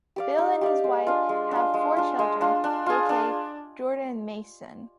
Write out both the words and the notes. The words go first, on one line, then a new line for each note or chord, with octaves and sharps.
Bill and his wife have four children aka Jordan Mason.
G4 D5 F5
D#4
G4 D5 F5
G#3
D4 F4
G#3
D4 F4
G#3
D4 F4
G#3
D4 F4
D4
F4 G#4
D4